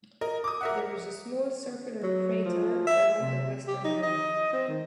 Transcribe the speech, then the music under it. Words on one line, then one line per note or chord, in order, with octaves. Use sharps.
There is a small circular crater along the western rim.
A#4 D#5
D6 D#6
A#4 E5 F#5
F#3
F3
E5
C3
G4
D#4
D#5
C4
D#3